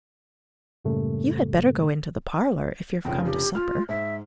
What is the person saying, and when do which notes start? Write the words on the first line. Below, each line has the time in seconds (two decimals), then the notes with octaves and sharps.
"You had better go into the parlour, if you're come to supper."
0.85 F#2 A2 C#3 G3 A3 A#3
3.05 F1 C#3 F4 G5
3.25 G4
3.55 F4 F6
3.89 G#2 E5